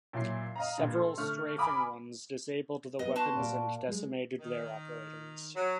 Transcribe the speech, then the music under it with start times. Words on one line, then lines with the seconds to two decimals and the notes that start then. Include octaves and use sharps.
Several strafing runs disabled the weapons and decimated their operators.
0.13 A#2 F#3 E4 C7
0.56 D#5 F5 A#5
0.78 G2 A#2
0.95 A4 C6
1.17 D3 A3 C#6 F6
1.58 G#5 A#5 B5 D6 D#6
2.99 B3 D#4 D#5
3.16 F#4 A5 C6
3.35 A#2 C#5 D5
3.88 G#3
4.40 D#3
5.56 F#3